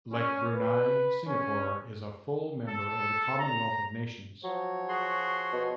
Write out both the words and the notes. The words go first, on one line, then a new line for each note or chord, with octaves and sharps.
Like Brunei, Singapore is a full member of the Commonwealth of Nations.
C#4
B4
C#4
A4
A#5
F3 F#3 C#5
F#4 G#4 C6
B2